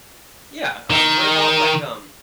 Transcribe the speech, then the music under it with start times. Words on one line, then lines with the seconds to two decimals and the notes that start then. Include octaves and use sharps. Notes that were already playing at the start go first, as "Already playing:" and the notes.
Yeah, um, what about, like, um
0.90 D#3